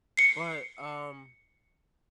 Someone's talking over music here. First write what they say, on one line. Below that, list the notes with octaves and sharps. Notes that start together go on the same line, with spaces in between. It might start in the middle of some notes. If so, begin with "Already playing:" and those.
But, um
C7 C#7